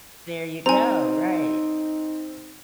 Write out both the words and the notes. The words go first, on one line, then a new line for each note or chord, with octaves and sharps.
There ya go. Right.
C4 D#4 G#5 A#5